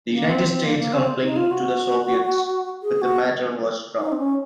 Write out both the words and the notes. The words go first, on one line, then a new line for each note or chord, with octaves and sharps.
The United States complained to the Soviets, but the matter was dropped.
A#3
C4
C4
A#3
A#3
C4
D#4
F4
F#4
G#4
F#4
D#4
C4
C#4